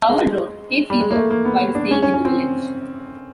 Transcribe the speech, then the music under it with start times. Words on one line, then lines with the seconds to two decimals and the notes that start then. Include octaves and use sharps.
Coward wrote "Hay Fever" while staying in the village.
0.09 G#3
0.90 G3
1.00 G#3
1.10 A#3
1.15 A3
1.31 A#3
1.45 B3
1.75 D4
1.91 C#4
2.02 C#4
2.14 C#4
2.25 C4